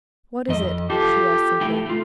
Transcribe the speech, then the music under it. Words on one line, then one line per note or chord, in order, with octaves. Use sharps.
"What is it?" she asked simply.
F2 D#5
F4 G4 A4
A3 E4 G5
A3 F4